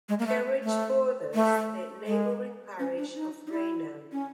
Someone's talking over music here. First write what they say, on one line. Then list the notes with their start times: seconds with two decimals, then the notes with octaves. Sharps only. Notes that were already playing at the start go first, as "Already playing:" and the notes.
Kerridge borders the neighbouring parish of Rainow.
0.09 G#3
0.19 A#3
0.27 A3
0.64 A3
1.35 A3
2.07 G#3
2.79 C#4
2.98 D4
3.16 D#4
3.47 D#4
3.51 E4
4.12 C#4